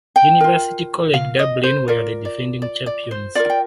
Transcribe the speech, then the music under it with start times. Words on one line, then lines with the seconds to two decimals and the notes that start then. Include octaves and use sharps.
University College Dublin were the defending champions.
0.16 G5
0.40 F4 A#4
1.14 F5
1.39 D#5
1.63 C5
1.88 F4 A#4 D5
2.25 D5
2.62 D5
2.86 D5
3.11 C5
3.35 F4 A#4 D5
3.50 G5